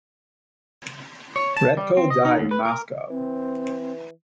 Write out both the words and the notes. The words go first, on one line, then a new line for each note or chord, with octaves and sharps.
Red'ko died in Moscow.
C#5
A5
G3
C4
D#5
D#4
D#2
B4
A#4
E3 C4